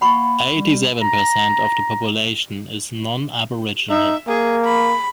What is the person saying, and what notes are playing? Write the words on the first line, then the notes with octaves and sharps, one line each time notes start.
Eighty-seven per cent of the population is non-aboriginal.
A#3 F#5 B5 C#6
G3
A#5
D#4 E5
A#3 G#4
B5